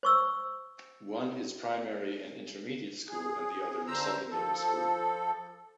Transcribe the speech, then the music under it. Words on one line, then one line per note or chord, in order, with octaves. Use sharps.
One is Primary and Intermediate school and the other is Secondary School.
C5 C#6 E6
G#4
F#2 D3 C5 A#5 E6
F3 A4